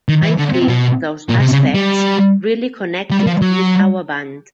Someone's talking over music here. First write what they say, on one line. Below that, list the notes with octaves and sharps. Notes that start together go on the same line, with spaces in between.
I think those aspects really connected with our band.
D#3
E3
D3
C3
B2
A#2
C3
C#3
G3
G3
F3
F#3